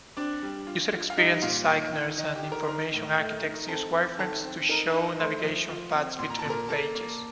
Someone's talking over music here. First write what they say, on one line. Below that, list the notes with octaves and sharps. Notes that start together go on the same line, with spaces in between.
User experience designers and information architects use wireframes to show navigation paths between pages.
C4 D4 D5
G3
F4
F4
F5
G3 D#4 D#5
A#2 F4 F5
D#3
D#3
D#3 D#4 D#5
G4 G5
D#3
A#4 A#5
C6
D#4 A#4 A#5
A2
A3
D#4
C4 A4 A5
C4
D#3 A4 A5
C4
D#4 A#4 A#5
D#4
A3 C5 C6
F3
F4
C4
A#2 C6
A#5
A5
A#2 A#4 A#5
A#3 A4 A5
A#3